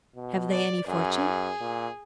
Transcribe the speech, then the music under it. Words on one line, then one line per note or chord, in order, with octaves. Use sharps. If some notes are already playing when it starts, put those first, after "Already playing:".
"Have they any fortune?"
B2
D5
F#2 G#4
A#2